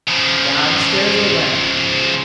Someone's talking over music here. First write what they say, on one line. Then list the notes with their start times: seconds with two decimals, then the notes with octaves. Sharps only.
Downstairs they went.
0.08 C#3 F3